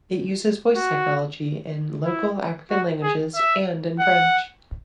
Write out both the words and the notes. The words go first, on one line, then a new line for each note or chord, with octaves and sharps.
It uses voice technology in local African languages and in French.
F#4
E4
F#4
G#4
E5
F#5